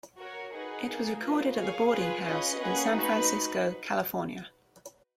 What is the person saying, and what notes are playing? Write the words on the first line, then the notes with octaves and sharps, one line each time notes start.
It was recorded at The Boarding House in San Francisco, California.
F#4 A#4 C#5
D#4 G#4 B4 F#5
A#3 D#4 G#4
A#3 F4 B4
G#4 C#5 F5 G#5
F4 G#4 B4
C#4 F4 B4 D#5
A#3 C#4 G#4 B4 F#5
D#4 F#4 B4